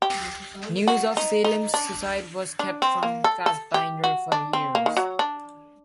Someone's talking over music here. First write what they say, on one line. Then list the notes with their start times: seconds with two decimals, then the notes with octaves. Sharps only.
News of Salem's suicide was kept from Fassbinder for years.
0.02 G4
0.87 F#4
1.17 D#4
1.44 D#4
1.74 D4
2.59 D4
2.82 C4
3.03 A#3
3.24 A4
3.46 A4
3.74 G4
4.04 F#4
4.32 D4
4.53 C4
4.75 A#3
4.86 D#3
4.97 F#3
5.19 D4